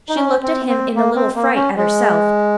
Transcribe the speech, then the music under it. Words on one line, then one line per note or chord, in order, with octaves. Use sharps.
She looked at him in a little fright at herself.
D#4
C#4
C4
C4
A#3
C4
A#3
C#4
G#3